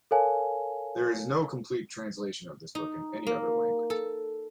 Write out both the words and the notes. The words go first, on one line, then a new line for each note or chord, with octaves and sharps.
There is no complete translation of this book in any other language.
A4 A#4 C#5 F5 G#5 A5
D#4
A#3
A4